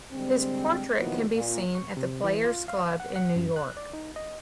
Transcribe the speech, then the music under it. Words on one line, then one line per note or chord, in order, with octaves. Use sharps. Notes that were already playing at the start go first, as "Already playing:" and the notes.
His portrait can be seen at the Players Club in New York.
D3 G3 G#3 C4
A#2 D#3 F3 F#3 B3 E4
A#2
C#6
C3
E3
F4
F5
F#5
F#5
F#2
F#6
D5
D#4
D#5